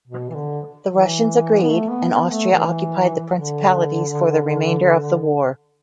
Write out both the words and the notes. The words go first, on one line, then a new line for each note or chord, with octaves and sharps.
The Russians agreed, and Austria occupied the Principalities for the remainder of the war.
B2
E3
D3
E3
B3
A3
B3
B3
A3
E3
D3